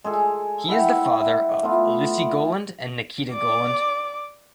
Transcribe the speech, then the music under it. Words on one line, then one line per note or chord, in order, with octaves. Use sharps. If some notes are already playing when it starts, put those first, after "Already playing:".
He is the father of Elisey Goland and Nikita Goland.
G#3 G#4 A4
E4 E5 F#5 G5
A3 B3 F4
D5 D6